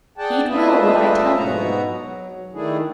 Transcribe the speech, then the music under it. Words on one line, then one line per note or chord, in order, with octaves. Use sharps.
Heed well what I tell you.
G#4 D5 F#5 G5 A5
A3 D4 F4 B4 D#5 E5
G#2 B2 B3 F#4 A#5
F#3
D#3 A3 D4 E4 G#4